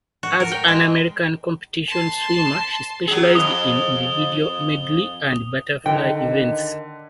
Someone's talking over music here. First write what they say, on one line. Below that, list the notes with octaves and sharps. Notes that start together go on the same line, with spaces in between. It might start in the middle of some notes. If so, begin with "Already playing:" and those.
As an American competition swimmer she specialized in Individual Medley and butterfly events.
F#4
A#4
G5
G#3
A5 C6
F#3 G#4
F2 D#6 G7
D3 D#3 G5